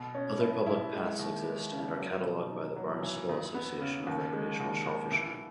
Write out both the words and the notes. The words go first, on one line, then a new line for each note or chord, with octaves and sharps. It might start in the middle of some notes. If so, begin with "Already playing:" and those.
Other public paths exist and are catalogued by the Barnstable Association of Recreational Shellfishermen.
Already playing: B2
C#4
E4
E4
G#3
D#2
G#3
C#3
F#3
B2
D#4
F#3
E3
E2
B3
C#3
D#2
G#3
D#2
D#2
E3